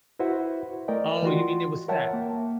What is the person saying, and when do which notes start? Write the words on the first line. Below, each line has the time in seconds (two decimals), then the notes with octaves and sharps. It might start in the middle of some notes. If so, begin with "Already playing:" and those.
Oh, you mean it was set?
0.19 E4 F#4 B4 C5 E5 F#5
0.88 A3 A#4 D5 D#5 G5
1.22 E3 F4 F#4 C6
1.88 A#4 C#5 E5 F#5 G5 A5
2.13 A#3